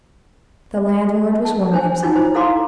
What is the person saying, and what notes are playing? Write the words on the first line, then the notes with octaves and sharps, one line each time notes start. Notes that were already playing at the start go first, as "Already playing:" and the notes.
The landlord was warming himself.
A5
D4 C5 G#5
C#4 D#4 F4 G#5
E4 C5
E4 A4 F5 A#5 C6 D6